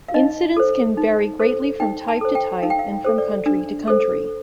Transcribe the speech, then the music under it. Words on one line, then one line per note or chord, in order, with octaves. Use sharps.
Incidence can vary greatly from type-to-type, and from country-to-country.
F5
D#4 D#5
A4 C5
D#4
A4 C5
D#4 G5
A5
A4 C5
G5
D#4 F5
G5
F5
A4 C5
D5
D4
A4 C5